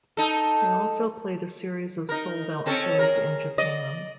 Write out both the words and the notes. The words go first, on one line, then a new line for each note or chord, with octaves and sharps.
They also played a series of sold-out shows in Japan.
D#4 A4
D#4 A#4
C4 C#4 A4
G#4 A#4
D5 D#5